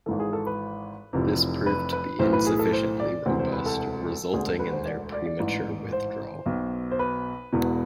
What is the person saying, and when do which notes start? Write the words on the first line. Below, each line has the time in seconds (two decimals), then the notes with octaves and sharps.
This proved to be insufficiently robust, resulting in their premature withdrawal.
0.06 G#1 G#2 E3 A4
0.20 G#4
0.33 A4
0.47 B4
1.13 F1 F2 C3 E3
1.66 B4
1.92 B4
2.19 B1 A2 E3 C5
2.33 B4
2.46 G#4
2.59 A4
2.73 C5
3.00 D5
3.26 E1 D2 C3 E3 C5
3.39 C5
3.53 B4
3.66 A4
4.33 E1 D2 D3 G#4
4.46 A4
4.59 B4
4.72 C5
4.86 D5
5.12 D5
5.26 D5
5.39 A1 G#2 E3
5.92 C5
6.46 B1 B2
6.91 C5
6.99 B4
7.53 E1 E2 B2